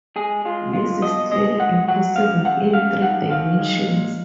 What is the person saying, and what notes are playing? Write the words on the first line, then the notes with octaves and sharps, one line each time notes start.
This is clearly impossible in three dimensions.
G#3 G#4
G#3 F4
G#3 F4
B2 D#5
G#3 D#5
G#3 F#5
F#3 F#5
F#2 F5
F#2 F#5
F#2 F5
D#3 F#5
D#3 F5
G#3
A#2